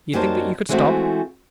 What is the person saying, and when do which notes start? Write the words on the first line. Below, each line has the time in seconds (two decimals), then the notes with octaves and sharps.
You think that you could stop?
0.13 F#2 G3 A#3 D#4 C5 A5
0.69 E3 G#3 A3 C4 F4 F#4